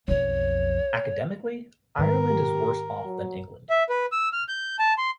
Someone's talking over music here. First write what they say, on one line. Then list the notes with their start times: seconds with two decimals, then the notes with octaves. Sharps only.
Academically, Ireland is worse off than England.
0.08 B1 F2 C#5
1.99 G#2 D#3 A#4 B4
2.29 G4
3.05 F#3
3.70 E5
3.89 B4
4.12 E6
4.33 F6
4.48 G6
4.79 A5
4.98 C6